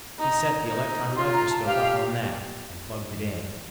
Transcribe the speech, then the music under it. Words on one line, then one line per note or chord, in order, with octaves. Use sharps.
He set the electron microscope up on that and plugged it in.
D#4 A#5
D#4
F4 C6
A#5
A5
G4 F5
F5